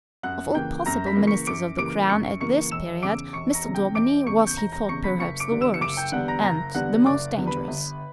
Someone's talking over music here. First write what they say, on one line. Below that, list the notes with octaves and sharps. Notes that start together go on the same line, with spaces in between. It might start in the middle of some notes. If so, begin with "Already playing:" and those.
Of all possible Ministers of the Crown at this period, Mr. Daubeny was he thought perhaps the worst, and the most dangerous.
F#2 F#5 F#6
C#3 E3 A#3 G5 G6
F#2 A#5 A#6
B5 B6
C#3 E3 A#3
C#6 C#7
F#2 D6 D7
C#3 E3 A#3 D6 D7
F#2 C#6 C#7
C#3 E3 A#3 C#6 C#7
E1 E6 E7
E2 C#3 D6 D7
E1 C#6 C#7
A#5 A#6
E2 C#3
G5 G6
E1 D6 D7
E2 C#3 C#6 C#7
G6
E1 A#5 A#6
A#5 A#6
E2 C#3 C#6 C#7
B5 B6
F#1 C#6 C#7
D6 D7
E2 D3 G3 B3
E6 E7
C#7
F#1 D6 D7
G5 G6
E2 D3 G3 B3 F#5 F#6
A#5 A#6
F#1 A#5 A#6
E2 D3 G3 B3 F#5 F#6
F#1 D5 D6
E2 D3 G3 B3
B4 B5
G1